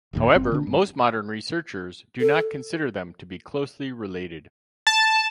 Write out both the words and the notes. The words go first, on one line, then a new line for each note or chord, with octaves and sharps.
However, most modern researchers do not consider them to be closely related.
F1 D#2 A#2
G1 C4
D3 D4
G2
A4
A5